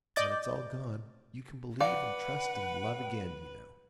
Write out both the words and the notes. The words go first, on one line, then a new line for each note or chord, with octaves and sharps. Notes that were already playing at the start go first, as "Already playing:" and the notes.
When it's all gone, you can believe, and trust, and love again, you know!
D5 D#5 D6 G6 A6
B4 D5 F5 F#5